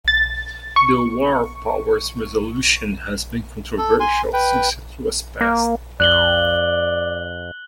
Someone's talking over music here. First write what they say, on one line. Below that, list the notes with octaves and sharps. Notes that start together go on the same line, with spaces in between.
The War Powers Resolution has been controversial since it was passed.
A6
C#6
A4
G#5 C6
B4 G5
A#3
F2 D5 F#6 F#7 G7